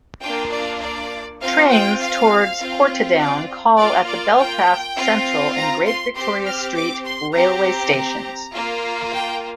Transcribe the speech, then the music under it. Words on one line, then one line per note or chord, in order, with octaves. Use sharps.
Trains towards Portadown call at the Belfast Central and Great Victoria Street railway stations.
A#3 D4 F4 G5
D5
D5
C4 F4 F5
G5
F5
C4 F4
D5
A#3 F4 D5
D5
G5
C4 F4
A#5
C6
C4 G4 C6
F6
D6
C6
C4 G4 A#5
A#3 F4
G5